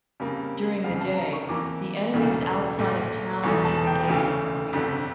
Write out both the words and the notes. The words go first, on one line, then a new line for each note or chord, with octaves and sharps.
During the day, the enemies outside of towns in the game are weaker.
F2 C#3 G3 A#3
F1 F2 C#3 F5
A5
A#5
C#6
F2 E3 A#3 D6
E1 D2 C#3 E3 A3
A#1 A#2 A3
E1 E2 E3 A3 C#6
A5
G5
D2 C#3 E3 A3
G1 F2 D3